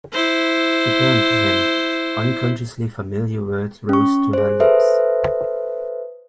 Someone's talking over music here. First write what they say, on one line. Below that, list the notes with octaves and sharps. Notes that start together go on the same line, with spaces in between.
She turned to him; unconsciously familiar words rose to her lips.
E4 C5
C#4 C#6
G#4 C5
A4 B4 C5 E5